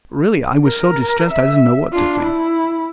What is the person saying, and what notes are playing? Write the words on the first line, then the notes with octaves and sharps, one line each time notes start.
Really I was so distressed, I didn't know what to think.
A#4
E5
D4 F4
E4